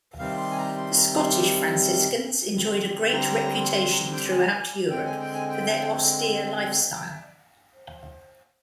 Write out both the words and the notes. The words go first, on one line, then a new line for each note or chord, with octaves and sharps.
The Scottish Franciscans enjoyed a great reputation throughout Europe for their austere lifestyle.
C3 D#3 G3 C4 F5
C6
G#5
A#5
C6
A#5
C6
D3 G3 C4
A#5
C6
A#5
G5
G#5
D3 G#3 C4 G5
G#5
G5
G#5
G5